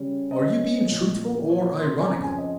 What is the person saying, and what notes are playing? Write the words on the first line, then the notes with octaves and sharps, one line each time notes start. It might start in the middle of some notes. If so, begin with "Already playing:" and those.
Are you being truthful or ironical?
Already playing: C#3 G3 C#4
D#5
A#2 F3 C4
C#5
C6
G#5
F2 C#3 F3 C4 A#5
G#5
D#5